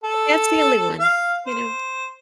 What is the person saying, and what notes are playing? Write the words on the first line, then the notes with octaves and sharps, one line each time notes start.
That's the only one, you know?
A4
F5
C5